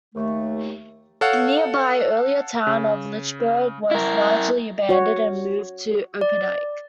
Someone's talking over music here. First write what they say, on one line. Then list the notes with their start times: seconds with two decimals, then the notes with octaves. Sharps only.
The nearby, earlier town of Lynchburg was largely abandoned and moved to Opdyke.
0.15 D#2 A3
1.21 A4 C#5 F5 F#5 A5
2.67 C#3
3.91 E4 A#4
4.89 F#4 C#5
6.21 D5